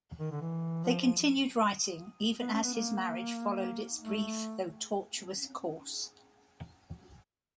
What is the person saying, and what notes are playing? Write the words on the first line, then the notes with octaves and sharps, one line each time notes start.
They continued writing even as his marriage followed its brief though tortuous course.
D#3
D3
E3
F3
F3
B3
C#4
B3
A#3
A3